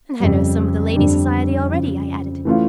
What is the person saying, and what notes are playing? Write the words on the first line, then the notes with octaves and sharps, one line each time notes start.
"And I know some of the lady-society already," I added.
F2 C#3 G3
F2 D3 G3 D4
C#3 F3 C#4
E3 A3 C#4 F4